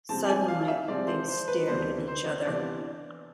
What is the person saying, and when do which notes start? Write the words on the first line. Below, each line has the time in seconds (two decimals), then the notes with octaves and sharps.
Suddenly they stared at each other.
0.09 C3 F3 G#3 C4 A5
0.29 G#5
0.48 F5
0.68 E5
0.88 C3 F3 G#3 C4 D5
1.07 C5
1.28 C5
1.48 B4
1.67 D2 C3 E3 B3 D4 C5
2.08 C5
2.47 C3 E3 B3 D4 D5